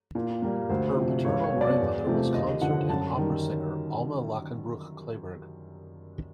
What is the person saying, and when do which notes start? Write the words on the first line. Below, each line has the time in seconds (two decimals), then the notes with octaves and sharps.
Her paternal grandmother was concert and opera singer Alma Lachenbruch Clayburgh.
0.15 A#2
0.42 G3 A#3
0.70 D2 C5
0.97 C3 F3
1.25 C#2 C#5
1.44 C#5
1.52 B2 F#3 B3
1.61 D5
1.80 E2
2.07 C3 F3 A3
2.34 D#2 D#5
2.61 D3 F3 F#5
2.89 F#2 A5
3.18 D#3 G3